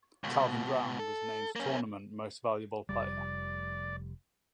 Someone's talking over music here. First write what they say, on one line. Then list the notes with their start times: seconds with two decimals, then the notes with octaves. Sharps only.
Calvin Brown was named Tournament Most Valuable Player.
0.24 C#2 B2
0.99 A4
1.56 A#3 C#4
2.89 F1 G3 D5